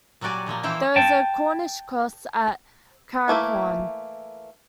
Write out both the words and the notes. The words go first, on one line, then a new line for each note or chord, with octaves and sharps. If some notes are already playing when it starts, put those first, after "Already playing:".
There is a Cornish cross at Carracawn.
A#2 F#3 G3 F#4 D5 G#5
A#2 F3 F#3 A#3
E3 E4 C5 E5 F5 G5
G5 A5
E3 A3 A#3 E4